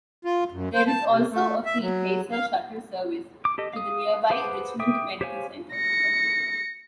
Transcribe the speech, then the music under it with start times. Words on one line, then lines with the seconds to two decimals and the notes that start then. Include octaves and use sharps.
There is also a free Kaiser Shuttle service to the nearby Richmond Medical Center.
0.25 F4
0.53 F#2
0.74 C5
0.88 A5
1.09 C3
1.32 A3
1.65 E5
1.81 F#3
2.32 F5
3.45 D6
3.58 G4 A4 D#5
3.73 F5 D#6
4.30 G#4 B4 C5 F#5 D6
4.80 E5 G5 D6 D#6
5.21 G4 C5 C#5 F5 G#5
5.73 A#6 C#7